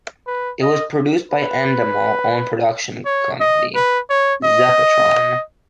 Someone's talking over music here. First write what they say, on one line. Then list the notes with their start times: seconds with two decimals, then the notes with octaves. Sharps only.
It was produced by Endemol owned production company, Zeppotron.
0.27 B4
0.62 D#5
1.32 B4
3.05 C#5
3.40 D#5
3.75 B4
4.10 C#5
4.44 D#5